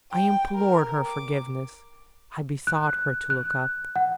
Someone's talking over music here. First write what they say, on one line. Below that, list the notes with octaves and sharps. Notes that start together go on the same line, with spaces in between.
I implored her forgiveness. I besought her to look up.
G5
A#4
D6
F#6
F#6
F#5